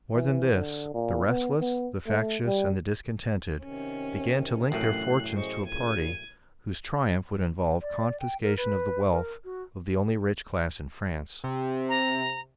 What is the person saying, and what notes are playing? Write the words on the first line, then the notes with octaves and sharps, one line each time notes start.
More than this, the restless, the factious, and the discontented, began to link their fortunes to a party whose triumph would involve confiscation of the wealth of the only rich class in France.
E3
D3
A#2
B3
B3
A3
G3
C3 D#3 C#4
A1 F#2 A2 F#6 C7
G#4 C5 D#5 C#6
A#2 C#3 G#6 D#7
D5
G5
A#4
B4
A#4
F#4
C3
A#5